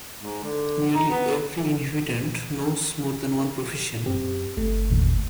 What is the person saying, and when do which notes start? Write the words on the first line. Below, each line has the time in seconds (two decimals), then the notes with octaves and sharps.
Nearly every inhabitant knows more than one profession.
0.20 G#2
0.44 D3
0.94 D#4
1.11 B3
4.06 F#2 C4 G4
4.57 G1 A3
4.90 D#1 A#1 D#2